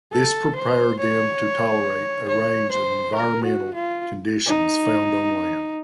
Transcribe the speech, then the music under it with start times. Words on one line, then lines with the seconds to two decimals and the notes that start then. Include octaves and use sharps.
This prepared them to tolerate a range of environmental conditions found on land.
0.12 A4
0.55 C5
0.99 C#5
2.28 C#5
2.72 C5
3.15 A#4
3.44 F#4
3.74 F4
4.46 D#4